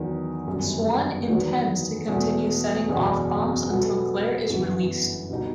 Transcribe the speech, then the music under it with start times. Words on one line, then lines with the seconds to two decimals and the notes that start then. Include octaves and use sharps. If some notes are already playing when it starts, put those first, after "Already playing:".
Swan intends to continue setting off bombs until Claire is released.
Already playing: E2 D#3 F#3
0.47 G1 F#2 D#3 G3
1.27 E2 D#3 F#3 B3
2.08 E2 B2 A3
2.89 F#1 E2 B2
3.68 B2 F#3 B3 F#4 A4
4.49 G1 F#2 E3 B3 F#4
5.30 B2 G3 D#4